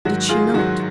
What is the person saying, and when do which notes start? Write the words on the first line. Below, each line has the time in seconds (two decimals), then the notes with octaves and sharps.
Did she not?
0.05 G#2 D#3 F#3 F#4
0.29 F4 G#4
0.54 G#2 D#3 F#3 F#4